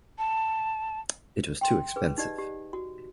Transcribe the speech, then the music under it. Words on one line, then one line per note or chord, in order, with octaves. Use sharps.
It was too expensive.
A5
G5 C6
G#4 B4
D#4 G4 D5 D#5
G4
F#4